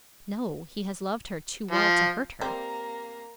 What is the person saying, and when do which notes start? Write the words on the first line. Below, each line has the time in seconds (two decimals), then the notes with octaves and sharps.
'No, he has loved her too well to hurt her.'
1.71 F3
2.41 G3 A#3 C4 A#5